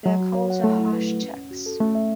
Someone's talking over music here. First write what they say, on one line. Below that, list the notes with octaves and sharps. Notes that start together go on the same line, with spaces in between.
Their calls are harsh "chak"'s.
F#3 F#4
F#4
C#5
F#5
A3 E4
E4
B4
F#5
C#4
C#4
F#4
A4
A3 C#4
E5